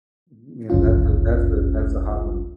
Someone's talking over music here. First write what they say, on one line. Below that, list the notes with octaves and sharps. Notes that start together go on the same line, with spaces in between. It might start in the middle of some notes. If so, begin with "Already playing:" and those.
You know, that's a that's a that's a hot one.
G1 C#2 F#2 C#4 F4